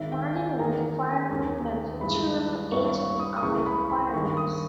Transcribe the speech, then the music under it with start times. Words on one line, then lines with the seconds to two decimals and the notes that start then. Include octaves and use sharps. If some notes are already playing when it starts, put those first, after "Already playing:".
Marlin owned the firearm manufacturer H and R Firearms.
Already playing: G#1 G#2 D#3 E5
0.12 G5
0.36 G#5
0.59 E2 D#3 A#3 D#4 A#5
1.30 E1 D#2 D#3
2.01 G2 E3 G#3 B5
2.72 G#1 G2 G3 C#4 E4 C#6
2.95 C#6
3.19 D#6
3.37 D#6
3.42 C#2 C#3 E3 C#6
3.66 B5
3.90 B5
4.13 G2 D#3 A#3 C#6
4.37 D#6